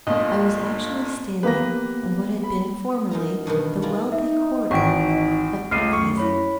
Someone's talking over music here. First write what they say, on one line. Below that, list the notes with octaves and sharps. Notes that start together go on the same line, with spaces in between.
I was actually standing on what had been formerly the wealthy quarter of Enkhuizen!
G1 A#2 D#5
A#3 B3 G4 B4 A#6
B5
F#2 D#4 A#5
E2 G2 B2 D#3
D4 E4 F4 G#4 A#5
D#4 E5
G#1 E3 F#5 G5 C#6 D7
C#2 A3 F6 C7 D#7
F#2 C#6
E4 C#5 B5